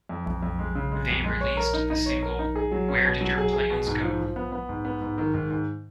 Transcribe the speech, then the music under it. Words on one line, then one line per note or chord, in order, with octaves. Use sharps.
They released the single Where Did Your Plans Go?
F2
F2
F2
G#3
C#3
G#3
F2
G#3
C#5
A#4
D#4
D#4
C#5
A#4
D#4
G#4
F#3
C#4
B2
F#3
G#4
G#4
B2
G#2
F3
F3
B3
B3
G#2
B3
G#2
D#3
G#2
G#2